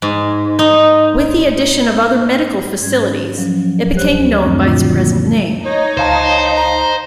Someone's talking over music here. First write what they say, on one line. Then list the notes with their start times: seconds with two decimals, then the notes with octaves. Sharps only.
With the addition of other medical facilities, it became known by its present name.
0.02 G#2
0.59 D#4
2.80 G#2 G3 C#4 G#6
3.38 F3 F#3 C#4
3.93 D2 G3 G4 C5 C#5 F#6
4.40 F#2 D#3 A3 C4 D4 C#6
4.61 A#2 D3 F3 D4 F4 F#4
4.93 G3 A#3
5.66 D#4 C#5
5.97 C#2 C5 F5 A5
6.57 A#5